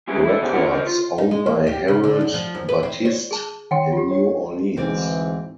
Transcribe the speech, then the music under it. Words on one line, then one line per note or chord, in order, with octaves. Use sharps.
Records owned by Harold Battiste in New Orleans.
G3 G#3 C#4 E4 G#4 B4
E4 A4
C#3 B3 G4 C5
C4 E4 F4 F#5
F#4 A#4 C5
F4
D#4
G#3
A#3
G4
C#3
D3
F#2
F3
F#2
B4
C4
C#5
G#4 A5
D#3 C#5 F#5 G5 C6
F4 G4
C#5
D2 G#2 E3 C4 D5